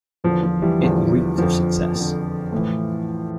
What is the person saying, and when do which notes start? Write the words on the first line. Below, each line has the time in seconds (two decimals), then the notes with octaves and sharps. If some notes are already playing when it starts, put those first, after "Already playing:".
It reeked of success.
0.24 E2 D3 F3
0.43 F3
0.62 E3 G3
0.81 E2 D3 F3
1.38 F2 D3 F3
1.95 F2 D3
2.52 A2 E3